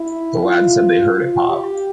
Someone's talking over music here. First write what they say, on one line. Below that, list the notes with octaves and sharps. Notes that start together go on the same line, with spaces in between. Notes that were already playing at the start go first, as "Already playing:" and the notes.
The lads said they heard it pop.
Already playing: E4
F4
F4
G4